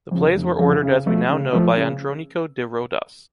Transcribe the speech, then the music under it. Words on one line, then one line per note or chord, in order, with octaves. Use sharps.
The plays were ordered as we now know by Andrónico de Rodas.
F2 C#3
F1
F2 C#3
C#3
F3 A3
C#3
F3 A3
C#3